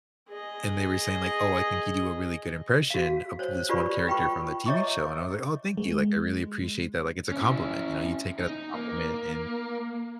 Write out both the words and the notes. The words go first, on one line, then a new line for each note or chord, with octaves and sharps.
and they were saying, like, "Oh, I think you do a really good impression of this one character from the TV show." And I was like, "Oh, thank you. Like, I really appreciate that." Like, it's a compliment, you know, you take it as a compliment and,
G#4 D#5
F#4 F5
C5 C#5
F4 G4 B4 D5 B5 C#6
F4 B4 G5 B5 C#6
C#5 D#5 E5 A#5 C#6 D6
G#3
C#4 E4
D#4
A#3